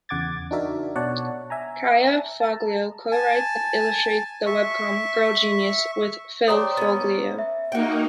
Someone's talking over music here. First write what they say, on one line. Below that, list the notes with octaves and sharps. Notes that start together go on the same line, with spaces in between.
Kaja Foglio co-writes and illustrates the webcomic "Girl Genius" with Phil Foglio.
E2 C#3 F#5 D6 G#6 A6
D4 D#4 F#4 A#4 E5
B2 C#5 D5 F#5 A5
E5 G#5 A#5
A5 A#5
G#5 A5
E5 C#6
D4 G4 C5 C#5 A#5 D#6
B3 C#4
E5
A#3 D#4 F#4 G5